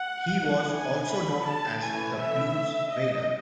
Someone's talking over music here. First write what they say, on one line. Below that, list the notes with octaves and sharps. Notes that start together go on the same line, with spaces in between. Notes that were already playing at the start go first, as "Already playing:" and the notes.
He was also known as "the Blues Wailer".
Already playing: F#5
E3 B3
G#5
B5
A5
E3 A3 C#4 G#5
E5
D#5